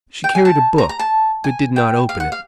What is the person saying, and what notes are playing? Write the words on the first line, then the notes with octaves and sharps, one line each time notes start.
She carried a book, but did not open it.
G5
G#5
A5
A#5
A#5
A5
G#5
G5
F5
F#5
F5